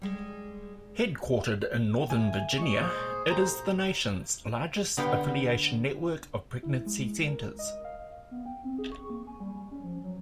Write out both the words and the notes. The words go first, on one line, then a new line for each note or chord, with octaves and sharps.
Headquartered in Northern Virginia, it is the nation's largest affiliation network of pregnancy centers.
G3 G#3
A3 G#5
G#3 D#5 C#6
A#2 G#4 C5
F#4 G4 A4 C5 A#5
D3 B3 F5 G5
E4
G#3
A#4
D#5
F5
B3
G5
C4
G#4
C#6
A#3
G#5
G3
G3
C#4
F3
F#3